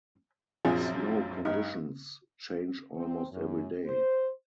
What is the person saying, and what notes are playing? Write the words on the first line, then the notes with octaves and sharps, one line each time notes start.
Snow conditions change almost every day.
A#1 F#2 F3 C4 G#4
G2 D#4
C4
F#2
C5